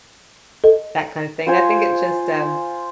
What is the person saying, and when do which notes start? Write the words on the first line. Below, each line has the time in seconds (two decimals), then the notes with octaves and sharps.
that kinda thing, I think it just, um,
0.64 A4 D#5
1.47 F4 C5 G#5